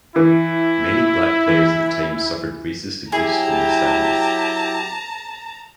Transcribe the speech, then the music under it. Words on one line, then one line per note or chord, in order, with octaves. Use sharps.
Many black players at the time suffered racist abuse from the stands.
E3 E4
E3
F#3 E4 G4 G#4 A5 A#5